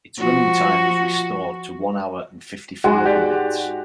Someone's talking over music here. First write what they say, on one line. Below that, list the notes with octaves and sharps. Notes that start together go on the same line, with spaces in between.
Its running time was restored to one hour and fifty-five minutes.
F3 F#4
G#2 G#3 F#4
G4 D5